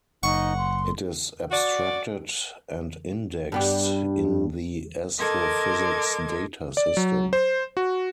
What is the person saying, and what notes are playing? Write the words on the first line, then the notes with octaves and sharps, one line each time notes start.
It is abstracted and indexed in the Astrophysics Data System.
F#1 D#4 F#5 C#6
C6
F#4 D5
G2 B3 G4
A4 A#4 D#5 C6 D6 G#6
D5
F#3
C5
F#4